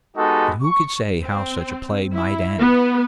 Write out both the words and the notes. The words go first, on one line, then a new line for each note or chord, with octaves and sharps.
And who could say how such a play might end?
G#3 B3 D#4 F#4 G4 A4
C#6
C4
E4
B3